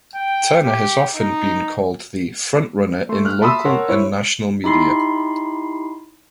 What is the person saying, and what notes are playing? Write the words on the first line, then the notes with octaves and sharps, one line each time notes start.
Turner has often been called the "frontrunner" in local and national media.
G5
G4
D#4
A3 C6
F6 F#6
E5 A5 B5 C6 D#6 E6
A#4 C#5 F#5 A5 C6
E4 C5 C#5
D#4 E4 G4 B5 C6 C7